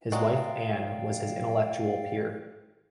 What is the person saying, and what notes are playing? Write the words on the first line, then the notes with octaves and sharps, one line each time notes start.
His wife Anne was his intellectual peer.
F#3 G#3 F#4 D5 F5 G5